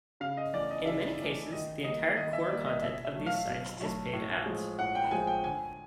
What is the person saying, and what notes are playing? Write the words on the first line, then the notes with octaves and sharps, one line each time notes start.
In many cases, the entire core content of these sites is paid ads.
C#3 F5
D#5
E3 A3 C#4 D5
D#5
C#3 E5
E3 A3 C#4
D#3 D#5
G3 A#3 D#5
D#3 D#5
E5
G3 A#3 D5
D#5
B2 E5
E5
F#3 A3
F5
B2
F#3 A3
A2
F3 G#3
A2 F#5
G5
F3 G#3 G#5
G5
D3 G#5